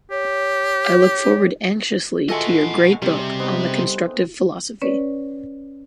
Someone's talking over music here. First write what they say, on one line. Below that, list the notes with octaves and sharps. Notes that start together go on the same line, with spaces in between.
I look forward anxiously to your great book on the constructive philosophy.
G4 C#5
G#3 A3 F4 F#4 A4 D#5 F#5 G#5
C3 G3
B3 C4 D#4
C#4 B4 C#5 D5